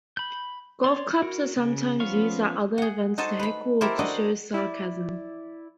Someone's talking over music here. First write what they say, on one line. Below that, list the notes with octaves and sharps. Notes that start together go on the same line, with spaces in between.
Golf claps are sometimes used at other events to heckle or to show sarcasm.
B5 G6
C#5 D5 C6
F#4 A#4
C#3
F3 B3 C#4 F5 C#6
G#4 F#5
D#4 F#4 A4 C5 G#5 A5
B4 B5
E4 G4 A4 A#4 C5
D4 F#4 D5 D#5
E4 D5